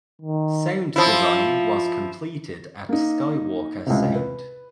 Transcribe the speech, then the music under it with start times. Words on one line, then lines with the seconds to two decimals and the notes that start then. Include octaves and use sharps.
Sound design was completed at Skywalker Sound.
0.22 D#3
0.96 F3 E4 F4
2.89 A#3 D#4
3.86 C#2 A2 C3
4.15 B4